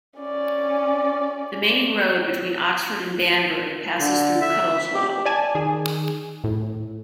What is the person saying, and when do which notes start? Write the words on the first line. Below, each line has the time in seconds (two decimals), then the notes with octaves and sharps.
The main road between Oxford and Banbury passes through Cutteslowe.
0.18 C#4 D5
3.99 D3
4.41 E5
4.94 G4
5.25 D5 G#5 A5
5.55 D#3 G#4
6.44 A2